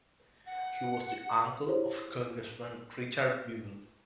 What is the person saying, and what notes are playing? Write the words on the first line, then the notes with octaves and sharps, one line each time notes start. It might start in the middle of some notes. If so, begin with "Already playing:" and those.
He was the uncle of Congressman Richard Biddle.
F#5
E4 G4 G#4 C5 C#5